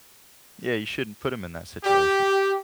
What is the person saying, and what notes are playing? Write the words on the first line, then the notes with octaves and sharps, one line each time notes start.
Yeah. You shouldn't put 'em in that situation.
G4